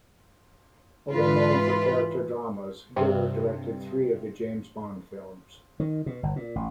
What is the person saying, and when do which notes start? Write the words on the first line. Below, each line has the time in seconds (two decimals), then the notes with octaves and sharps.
Although known for character dramas, Gilbert directed three of the James Bond films.
1.12 G#2 E3 F4 B4
2.96 G2 C3
5.80 D#3
6.06 B2
6.23 G1
6.36 A#2
6.56 A1